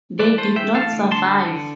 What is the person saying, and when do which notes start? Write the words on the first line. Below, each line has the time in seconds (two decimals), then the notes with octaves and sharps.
They did not survive.
0.19 E3 B4 D5
0.38 A3 A4 C5
0.56 E3 E5 G5
0.74 A3 F5 A5
0.93 D3
1.11 D3 A5 C6
1.30 B3
1.48 D3